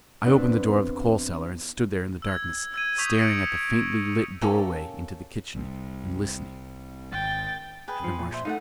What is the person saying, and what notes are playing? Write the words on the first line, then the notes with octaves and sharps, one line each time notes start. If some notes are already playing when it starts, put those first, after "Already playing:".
I opened the door of the coal cellar, and stood there in the darkness staring at the faintly lit doorway into the kitchen, and listening. Had the Martian seen me?
E2 E3 B3 C4 D4 D5
E6 G#6
E6 G#6 D#7
C#6 D#6 G6 B6 F7
A#6 C#7 D7
A#3 C#4 G4 A4
C2
G#1 G5 A6
G#4 B4 G5
F3
A#2
C5 E5
A3 D#4 F5 F#5